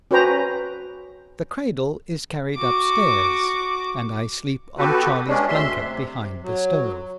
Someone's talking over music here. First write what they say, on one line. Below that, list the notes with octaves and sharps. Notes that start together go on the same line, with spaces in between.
The cradle is carried upstairs, and I sleep on Charlie's blanket behind the stove.
C#4 F#4 B4 C5 G5 A#5
F#4 D6
B3 F#4 G4 A4 B4
G3 G#3 B3 C#4 D4
D2 E5 C6
C3
F#3